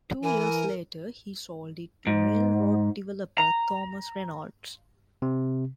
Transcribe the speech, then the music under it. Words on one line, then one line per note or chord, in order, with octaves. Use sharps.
Two years later he sold it to railroad developer Thomas Reynolds.
E3 A#4 G#5
G#2
A#5
C3